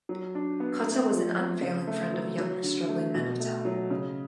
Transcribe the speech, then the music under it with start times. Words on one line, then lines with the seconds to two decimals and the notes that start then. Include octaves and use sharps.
Cotta was an unfailing friend of young struggling men of talent.
0.09 F#3
0.35 D4
0.60 B3
0.85 A3
1.12 F3
1.37 C4
1.62 C#3
1.87 A3
2.13 F#3
2.38 F#3
2.63 D3
2.89 A3
3.15 B2
3.40 A3
3.65 F#3
3.90 C#3